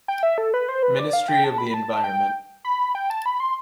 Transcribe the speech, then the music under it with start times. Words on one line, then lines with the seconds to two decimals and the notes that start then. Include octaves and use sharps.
Ministry of the Environment.
0.08 G5
0.23 E5
0.38 A4
0.54 B4
0.69 C5
0.83 B4
0.99 D5
1.13 F5
1.28 G5
1.44 A5
1.58 B5
1.74 A5
2.04 G5
2.65 B5
2.95 G5
3.10 A5
3.26 B5
3.40 C6